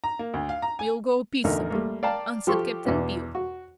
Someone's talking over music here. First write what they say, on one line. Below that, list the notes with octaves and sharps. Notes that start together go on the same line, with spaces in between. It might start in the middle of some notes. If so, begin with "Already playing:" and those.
"We'll go peaceable," answered Cap'n Bill.
A#5
A#3
D2
F5
A#5
G#5
A1 E2 D3 D#4 A#4
G3 A3 A#3
D5 F5 G5 A5 A#5
F3 G4 A4 C6 C#6
E2 B2 E3 B3 D4
F#4